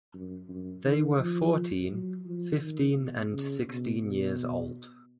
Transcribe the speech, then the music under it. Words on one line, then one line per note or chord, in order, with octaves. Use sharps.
They were fourteen, fifteen and sixteen years old.
F#2
F#2
D#3
F3
F#3
F3
D#3
B2
C#3
B2
B2